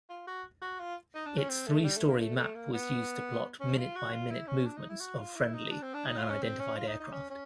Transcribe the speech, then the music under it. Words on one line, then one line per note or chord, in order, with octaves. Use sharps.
Its three-story map was used to plot minute-by-minute movements of friendly and unidentified aircraft.
F4
F#4
F#4
F4
D#4
D4
C#4
C4
A3
G3
A3
A#3
A3
A3
A#3
B3
C#4
F4
F#4
F4
E4
C#4
D4
D#4
E4
F#4
F4
E4
D#4
D4
C4
D4
D#4
F4
C#4
C4
C#4
F4
D#4
D#4
C#4
C#4